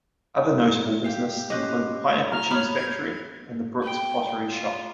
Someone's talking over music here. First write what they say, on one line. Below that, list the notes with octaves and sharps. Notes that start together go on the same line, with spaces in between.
Other notable business include the pineapple cheese factory and the Brooks pottery shop.
G4 F5
C#4 G4 B4 C5 D#5
A#5 F6
B3 C#5 B5
G6 G#6
G5
F4